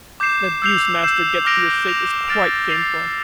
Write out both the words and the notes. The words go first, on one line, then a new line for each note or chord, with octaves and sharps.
The abuse master gets for your sake is quite shameful.
D6 G6 C7 E7
E6 G6 C7 F7
E6 G6 C7 E7
D6 F6 A#6 D7 F7
G6 A#6 F7
F6 A6 D7 F7
A6 C7 F7